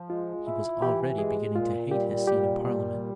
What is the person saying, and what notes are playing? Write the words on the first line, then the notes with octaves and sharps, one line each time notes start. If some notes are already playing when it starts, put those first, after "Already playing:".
He was already beginning to hate his seat in Parliament.
Already playing: F3
G#3 F4
E4
E3 G4
G#3 G#4
A#2 F4
G3 G4
A#2 G4
G3